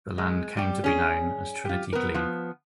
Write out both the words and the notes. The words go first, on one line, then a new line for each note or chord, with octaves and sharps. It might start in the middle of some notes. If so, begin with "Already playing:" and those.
The land came to be known as "Trinity Glebe".
G#3
G3 G4
C#4 G#4
F4 G4
B3 A#4
F3 B3